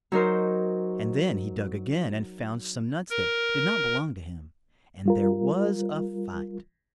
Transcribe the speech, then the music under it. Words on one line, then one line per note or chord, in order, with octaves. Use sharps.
And then he dug again and found some nuts that did not belong to him; and there was a fight.
F#3 D#4 A#4 C5
A#4
G3 F4 A#4